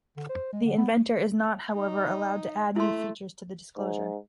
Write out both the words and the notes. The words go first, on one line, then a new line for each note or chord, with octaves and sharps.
The inventor is not, however, allowed to add new features to the disclosure.
D3
C5
G#3
D3
B3
D#4
A3 E4 C6
G#2